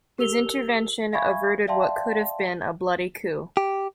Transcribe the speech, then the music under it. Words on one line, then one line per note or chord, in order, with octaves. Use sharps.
His intervention averted what could have been a bloody coup.
G4 A#4 E6 F7 G7
E5 F5 G#5 B5 C#6 G#6
D5 E5 F5 G5 A5 C6
G4